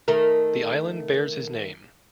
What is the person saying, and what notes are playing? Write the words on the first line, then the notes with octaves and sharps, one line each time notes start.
The island bears his name.
D#3 A3 A#4